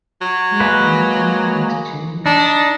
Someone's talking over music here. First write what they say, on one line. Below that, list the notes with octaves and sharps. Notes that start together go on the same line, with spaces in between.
Her grandfather was Jewish.
F#3
G#3 A#3 B4
D4 D#4